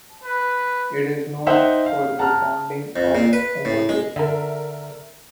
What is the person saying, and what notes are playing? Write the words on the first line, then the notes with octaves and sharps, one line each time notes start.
It is known for the founding of Oomoto.
B4
D#4 C5 E5 F#5 G5
F5
F#5 A5 A#5 F6
F2
A#2
B4
A2
G#3
D3 A#4 E5